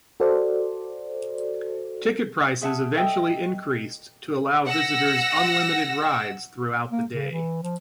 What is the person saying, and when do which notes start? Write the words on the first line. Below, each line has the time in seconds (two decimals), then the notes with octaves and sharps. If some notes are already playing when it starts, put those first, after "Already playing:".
Ticket prices eventually increased to allow visitors unlimited rides throughout the day.
0.20 F#4 A4 C5 D5
2.61 G#4 E5 F#5 A5
2.93 A4 D#5 E5 G5
4.68 F#5 E6 A#6
6.91 A#3
7.12 C#3
7.32 E3
7.63 F3